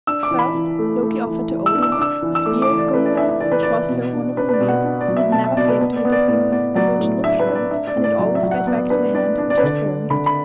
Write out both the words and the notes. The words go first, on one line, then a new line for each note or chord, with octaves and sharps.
First, Loki offered to Odin the spear Gungner which was so wonderfully made that it never failed to hit the thing at which it was thrown, and it always sped back to the hand which had thrown it.
D4 E6
D6
E3
B5
E3
A3
A3
E3
E3
E6
D4
E6
D6
D4 E6
E3
E6
A3 D6
D6
E3
D5
A3 B4
D5
D4 E5
E5
E3 D5
B4
E3 D5
B2
D4
D4 B4
B4
D5
B2
F#5
D4
D5
F#3
E5
B2 A5
E5
B2 D5
B4
B3 B4
D5
B3
D5
A2 D5
B3 D5
F#3 D5
A2
D4 E5
B4
D4
D5
D4 E5
D5
A2
D5
F#3 D5
E5
F#3
F#5
B3 D5
D4 B4
D4 D5
D4 D5
D5
B4
D3 D5
D4
D3 B5
B5